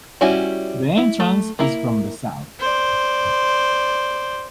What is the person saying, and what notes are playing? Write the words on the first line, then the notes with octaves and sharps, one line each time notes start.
The entrance is from the south.
G3 C#4 E4 F#4 G#5
E4
A3
A#3 E4 A#5
C5 D5